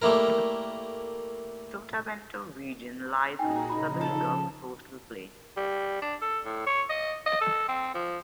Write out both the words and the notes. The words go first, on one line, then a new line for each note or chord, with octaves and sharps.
Sotavento Region lies on the southern Gulf Coastal Plain.
G3 A3 A#3 E4 A#4
A#2 D#4 F#4 G#4 G5 G#5
C#3 F3 B5
A4
G3
D4
A4
A2
C#5
D#5
D#5
A4
C4
F3